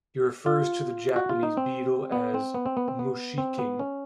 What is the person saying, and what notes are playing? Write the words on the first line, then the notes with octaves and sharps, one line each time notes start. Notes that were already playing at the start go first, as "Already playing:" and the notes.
He refers to the Japanese beetle as "Mushiking".
F4
F#4
F4
D#4
C4
B3
C4
B3
C4
B3
C4
B3
C4
B3
C#4